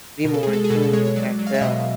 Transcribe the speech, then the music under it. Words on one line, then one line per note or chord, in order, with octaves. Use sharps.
be more in tune with ourself,
B2 A#4
A4
G#3 G#4
A4
G#4
B2 A4
A4
G#3 C#5
C#5
F#3 D5
F#3
F5
E5
B2 D#5